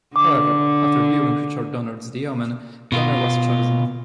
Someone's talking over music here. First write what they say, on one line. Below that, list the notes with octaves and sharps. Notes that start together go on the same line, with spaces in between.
However, after viewing Richard Donner's "The Omen", Donner was chosen.
D3 D6
B2 F4